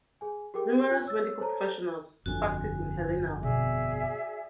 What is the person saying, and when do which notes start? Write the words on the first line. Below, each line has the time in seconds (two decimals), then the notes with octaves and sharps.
Numerous medical professionals practice in Helena.
0.21 G#4 G#5
0.54 G4 G#4 A#4 G5 D6
0.89 F4 F#6
1.05 C#5 E6 A6
1.39 A4 C5 C#5 A5 A#5
2.26 G1 F2 D3 F#4 G#5
3.43 B2 B3 G#4 D5 E5